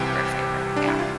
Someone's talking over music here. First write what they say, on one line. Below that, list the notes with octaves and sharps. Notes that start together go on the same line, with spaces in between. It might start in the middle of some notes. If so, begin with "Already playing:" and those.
For a favor, yeah.
Already playing: C2 C3 E3 G4
D4
E4
F4